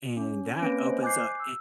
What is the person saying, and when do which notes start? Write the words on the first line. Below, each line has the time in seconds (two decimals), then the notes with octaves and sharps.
And, that opens up eh
0.17 C#4
0.62 A#3 C4 C#4 B4 A#6 D7
0.86 C5 D#5
1.03 G#5 D6 F#6 G6 C7
1.40 E6